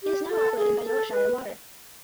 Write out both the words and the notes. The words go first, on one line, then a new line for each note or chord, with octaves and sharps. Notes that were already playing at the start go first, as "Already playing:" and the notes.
It is now operated by Yorkshire Water.
G4
A4
G#4
A4
B4